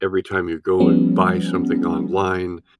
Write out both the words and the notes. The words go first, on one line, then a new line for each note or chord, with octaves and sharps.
every time you go and buy something online,
F3 G3 B3 C#4